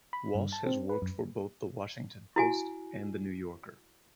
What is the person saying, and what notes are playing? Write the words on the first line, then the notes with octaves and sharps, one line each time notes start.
Walsh has worked for both "The Washington Post" and "The New Yorker".
B5
G2
A5
C4
B4
F#2
E4 F#4 G#5